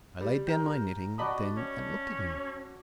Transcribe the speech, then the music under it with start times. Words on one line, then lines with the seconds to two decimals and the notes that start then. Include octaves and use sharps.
I laid down my knitting then and looked at him.
0.21 G3
0.47 A#4 G5
1.18 F#4 D5 D#5 A5 B5 D#6
1.56 C#4